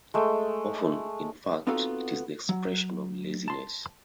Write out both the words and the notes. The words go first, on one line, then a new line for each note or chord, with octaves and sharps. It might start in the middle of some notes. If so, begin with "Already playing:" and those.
Often, in fact, it is the expression of laziness.
G#3 A3
B3 C4 D#4 F4 F#4 A4
F#3
A5 C6